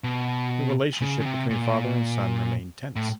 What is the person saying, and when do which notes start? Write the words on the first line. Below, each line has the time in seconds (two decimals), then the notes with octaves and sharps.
The relationship between father and son remained tense.
0.04 B2
1.01 C#3
1.20 C#3
1.26 C3
1.50 A#2
2.96 A2